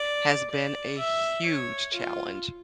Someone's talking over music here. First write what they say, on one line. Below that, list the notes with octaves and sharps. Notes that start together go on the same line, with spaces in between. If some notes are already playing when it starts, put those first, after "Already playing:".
has been a huge challenge.
Already playing: D5
D5
E5
C#5
F4